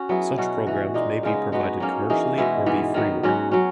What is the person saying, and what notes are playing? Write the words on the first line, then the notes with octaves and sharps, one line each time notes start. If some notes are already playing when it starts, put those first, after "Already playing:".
Such programs may be provided commercially or be freeware.
Already playing: C#4 F#4
F#3 B3 E4 G#4
B2 F#3 C#4 F#4
E3 B3 F#4
A#2 G#3 D#4 G#4
C#3 G#3 B3 D#4
G#3 B3 D#4 F#4
F#3 A#3 C#4
E3 A#3 D#4 G#4
B2 G#3 B3 E4
G#2 E3 B3
D#3 F#3 B3
G#2 F#3 C#4 F#4
F#3 C#4